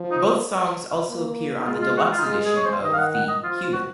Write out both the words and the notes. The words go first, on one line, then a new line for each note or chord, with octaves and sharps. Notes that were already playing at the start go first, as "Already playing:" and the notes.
Both songs also appear on the deluxe edition of the "Human".
Already playing: F3
D#4
A#3
D#4
G#3 F4
F4
F#4
F4
D#4
G#3 F4
G#4
C#5
C5
D#3 D#5
F5
F#5
F#5
D#5
F3 F4
F4
F#4